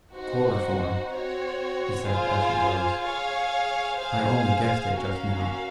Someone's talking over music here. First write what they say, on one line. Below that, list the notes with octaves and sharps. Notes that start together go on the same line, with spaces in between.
"Chloroform," he said as he rose; "I only guessed it just now."
C4 D#4 F#4 C5 F#5
C4 F#4 C#5
F4 G#4 C5 F5 G#5
G#4 C#5 F5
G#4 C5 F5 G#5
C#4 F#4 A#4 F5